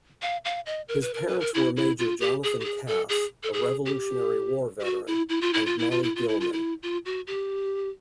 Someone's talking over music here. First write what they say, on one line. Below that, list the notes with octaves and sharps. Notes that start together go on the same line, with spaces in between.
His parents were Major Jonathan Cass, a Revolutionary War veteran, and Molly Gilman.
F5
F5
D#5
A#4
B4
A#4
B4
A#4
E4
E4
F4
G4
G#4
G4
G#4
A4
G#4
A4
G#4
G4
G4
F#4
E4
E4
F4
E4
F4
E4
F4
E4
F4
E4
F4
E4
F4
F#4
G4